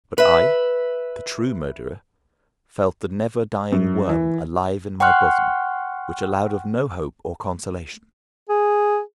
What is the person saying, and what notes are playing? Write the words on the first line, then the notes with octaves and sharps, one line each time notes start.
But I, the true murderer, felt the never-dying worm alive in my bosom, which allowed of no hope or consolation.
B4 E5
F#2
E3
F#5 G5 C6 C#6 F6 F#6
G#4